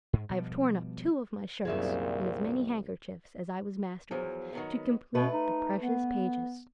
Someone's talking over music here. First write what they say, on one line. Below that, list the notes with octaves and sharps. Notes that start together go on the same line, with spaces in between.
I have torn up two of my shirts, and as many handkerchiefs as I was master of, to complete the precious pages.
G#2
B2 F3 G3
C2 F#2 A#2 D#3 C4 G#4 E5
E2 F3 F#3
D#3 F#3 B3
B2 A3 B4
D#4
B3